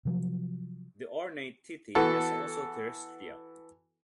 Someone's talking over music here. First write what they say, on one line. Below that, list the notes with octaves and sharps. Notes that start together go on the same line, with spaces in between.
The ornate titi is also terrestrial.
C3 F3 F#3
E3 B3 F#4 A4